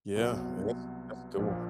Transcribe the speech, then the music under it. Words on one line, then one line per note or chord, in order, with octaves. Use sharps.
Yeah, that's that's cool.
C2 B2 F#3
A#1 A#2 F3